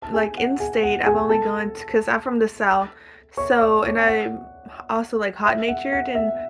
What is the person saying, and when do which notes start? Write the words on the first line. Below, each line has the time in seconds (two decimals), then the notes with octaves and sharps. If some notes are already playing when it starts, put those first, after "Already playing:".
like in state I've only gone t 'cause I'm from the South so and I'm h also, like, hot-natured, and
0.02 A5
0.14 G#4 G#5
0.37 F#5
0.60 G#4 G#5
0.83 F#5
1.06 G#4 G#5
1.29 A4 A5
3.37 C#5 C#6
3.60 D5 D6
3.83 C#5 C#6
3.98 G#5
4.07 F#5
5.46 E5
5.68 F#5
5.92 F#5
6.15 E5